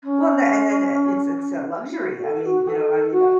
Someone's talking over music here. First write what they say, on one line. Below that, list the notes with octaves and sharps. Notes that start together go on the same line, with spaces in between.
Well, then and then it's it's a luxury. I mean, you know, I mean,
C#4
C#4
E4
F#4
F#4
A4
F#4
A4
F#4